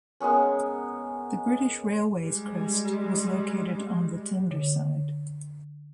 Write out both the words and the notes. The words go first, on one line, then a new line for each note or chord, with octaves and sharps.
The British Railways crest was located on the tender side.
G#3 A#3 B3 C#4
G3 G#3
D3